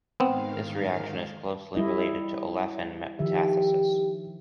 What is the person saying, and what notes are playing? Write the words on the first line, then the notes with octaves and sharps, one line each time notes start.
This reaction is closely related to olefin metathesis.
G#2 D#3 B3 C4 F5
G3 E4 D#5
D#3 F3 G4 E5